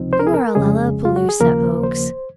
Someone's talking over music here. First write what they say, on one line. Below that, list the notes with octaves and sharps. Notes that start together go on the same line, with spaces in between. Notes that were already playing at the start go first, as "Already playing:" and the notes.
"You are a lalapazooza, Oakes."
Already playing: C#2 C3 F3 C4 D#4
C5
A#4
G#4
A#4
F2 C#3 G#3 G#4
F4
F#4
G#4
D#2 C#3 F3 A#3 A#4
C5